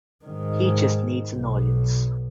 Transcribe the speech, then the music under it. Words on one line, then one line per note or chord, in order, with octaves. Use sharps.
He just needs an audience.
G#2 D#3
B1 B2